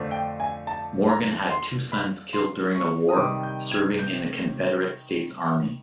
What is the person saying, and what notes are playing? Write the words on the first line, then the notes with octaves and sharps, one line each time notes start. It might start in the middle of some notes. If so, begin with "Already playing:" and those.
Morgan had two sons killed during the war serving in the Confederate States Army.
Already playing: F2 D3 F3 A3 D4
G5
G#5
A5
A#5
C6
B5
C6
C#6
D#6
C3 D#3 G3 D6
G6
G#6
G6